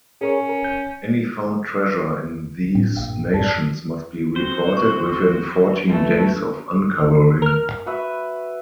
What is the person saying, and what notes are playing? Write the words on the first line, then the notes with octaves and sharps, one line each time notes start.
Any found treasure in these nations must be reported within fourteen days of uncovering.
C#4 G#4 A#4 C#5
A#4
G6
A2 C4
A#1 G2 F5 G5
F2 G#2 B2 D5 A5
C4 F#4 C5
C#6
A3 B4
A#4 F6
F#4 B4 E5